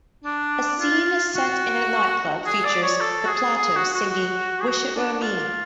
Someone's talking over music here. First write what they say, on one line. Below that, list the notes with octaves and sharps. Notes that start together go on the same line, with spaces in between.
A scene set in a nightclub features The Platters singing "Wish It Were Me".
D4
F4
F#4
G#4
D5
C#5
A4
F#4
G#4
G#4
F#4
F#4
G#4
F#4
D4
F4